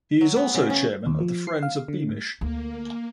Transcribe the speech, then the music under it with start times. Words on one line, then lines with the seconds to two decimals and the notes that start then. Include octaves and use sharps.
He is also chairman of the Friends of Beamish.
0.21 F#3
0.36 B3
0.54 C#3
0.70 C#4
1.06 D#2
1.20 F3
1.47 C7
1.63 F5
1.88 D3
2.09 G#2
2.41 D2 A#3